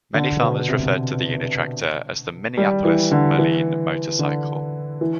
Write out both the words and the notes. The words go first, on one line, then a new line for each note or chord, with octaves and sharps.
Many farmers referred to the Uni-Tractor as the "Minneapolis-Moline Motorcycle".
D3
B2
C3
G3
E3
D3
E3
D3
E3